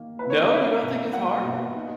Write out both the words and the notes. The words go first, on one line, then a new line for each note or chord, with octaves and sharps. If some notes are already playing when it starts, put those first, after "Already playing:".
No, you don't think it's hard?
Already playing: D#3 A#3
E4 B4
C#5
D#5
E4 E5
B2
A#3 F#5
B2
D#4